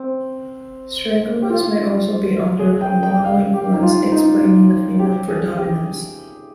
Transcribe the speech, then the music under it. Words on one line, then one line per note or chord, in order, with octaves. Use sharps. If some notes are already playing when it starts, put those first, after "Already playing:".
Syringomas may also be under hormonal influence explaining the female predominance.
Already playing: C4
G4
F4
G#4
G5
G5
F5
G4
D#4
F4
D#4
G4
G#4
G4